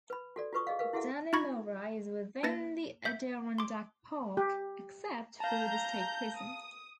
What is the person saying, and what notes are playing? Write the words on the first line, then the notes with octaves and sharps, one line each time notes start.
Dannemora is within the Adirondack Park except for the state prison.
B4 B5
F#4 A4 D5
F4 F#4 B4 C#6 D#6
G#4 D#5 F5
A#4 B4 F5
E4 F#4 G#4 A4 E5 F#5
D#4 F4 B5 C#6 G#6 A#6
A#3 D4 B4 A6 A#6
E5 G6
C6 D6
G4
F5 A5 A#5 G6
D#6